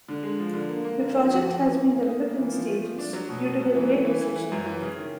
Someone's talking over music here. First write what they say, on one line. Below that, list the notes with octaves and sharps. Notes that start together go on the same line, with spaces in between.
The project has been developed in stages due to the Great Recession.
D3
G#3
F3
D3
A#3
A#3
D3
F3
F2
F2
E3
E3
A#3
D#4
A#3
E3
F3
A3
F3
D4
F#3
B2
B2
F#3
E3
A3
E3
E3
E3
F#2
E3
C#3
D#3